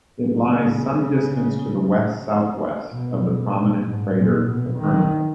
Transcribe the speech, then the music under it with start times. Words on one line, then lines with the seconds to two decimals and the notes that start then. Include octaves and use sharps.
It lies some distance to the west-southwest of the prominent crater Copernicus.
0.41 C#3
2.91 B2
3.54 A#2
3.85 G#2
4.16 A#2
4.47 B2
4.79 D#3